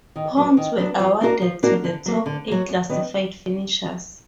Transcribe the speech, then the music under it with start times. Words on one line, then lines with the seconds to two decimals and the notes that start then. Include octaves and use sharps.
Points were awarded to the top eight classified finishers.
0.16 D#3
0.37 F#3 B3 D4
0.57 D#3
0.78 F#3 B3 D4
0.99 F3
1.21 A#3 D4 F#4 A#4
1.42 F3
1.63 A#3 D4 F#4 A#4
1.84 D3
2.06 F#3 A#3
2.26 D3
2.47 F#3 A#3
2.68 F#2
2.89 D#3 F#3 B3 D4